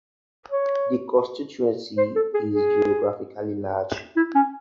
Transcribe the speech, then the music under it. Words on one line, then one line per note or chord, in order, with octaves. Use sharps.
The constituency is geographically large.
C#5
C5
A4
G#4
G#4
E4
C#4